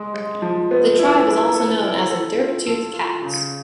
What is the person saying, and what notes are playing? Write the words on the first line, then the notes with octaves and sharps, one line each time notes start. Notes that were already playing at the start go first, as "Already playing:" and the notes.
The tribe is also known as the "dirk-toothed cats".
Already playing: G#3
G#3
F3
B3
E4
E4
A4
E4
A4
F4
A4
F4
C#3